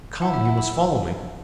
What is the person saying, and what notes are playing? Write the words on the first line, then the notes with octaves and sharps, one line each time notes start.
"Come, you must follow me!"
E4 F#5
E5
F#5
B5
E6